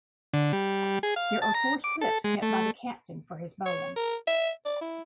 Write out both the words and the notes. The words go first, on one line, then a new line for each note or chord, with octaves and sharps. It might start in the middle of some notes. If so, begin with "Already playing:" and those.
There are four slips kept by the captain for his bowling.
D3
G3
G#4
F5
A5
A#5
D6
A4
G#3
A3
C#5
A#4
E5
D5
E4